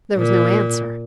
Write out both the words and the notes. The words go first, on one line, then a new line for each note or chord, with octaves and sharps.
There was no answer.
A#2